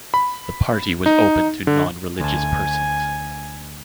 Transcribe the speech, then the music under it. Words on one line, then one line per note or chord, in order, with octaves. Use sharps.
The party was open to non-religious persons.
B5
D#4
D3
D2 G#5 A5